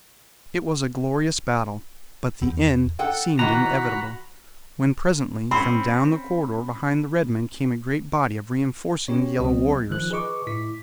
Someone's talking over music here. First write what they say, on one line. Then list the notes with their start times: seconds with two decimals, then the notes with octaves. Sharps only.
It was a glorious battle, but the end seemed inevitable, when presently from down the corridor behind the red men came a great body of reenforcing yellow warriors.
2.42 E2
2.99 A4 F#5 G5
3.39 D#3 E3 F#4 A#5 B5
5.51 C4 C#4 B5
9.08 C#4 G4 C#5
9.39 C#2 F#3 C4 D#5
9.90 D#3 F3 F#6
10.10 G#4 B4 D#5 C#6 D6
10.47 A2 E4 D6 B6